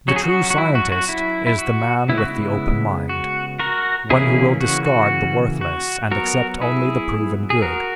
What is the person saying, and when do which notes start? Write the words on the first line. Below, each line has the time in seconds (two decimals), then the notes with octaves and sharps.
The true scientist is the man with the open mind, one who will discard the worthless and accept only the proven good.
0.08 F#3 F#4
0.11 C#4 G#4
0.24 F#4
0.50 F#4
0.58 E4
0.75 F#4
0.92 F#4
1.09 E4
1.47 E4
1.58 F#4
2.09 C#3 G#3 B3 E4
2.18 F#4
2.26 E4
3.09 F#4
3.59 F#4 A#4
4.10 C#3 E3 A#3 C#4 E4 G#4
4.61 F#4
4.86 F#4
5.61 F#4
6.11 F#3 B3 F#4 A#4
6.62 E4 G#4
7.50 G#4
7.62 F#4 A#4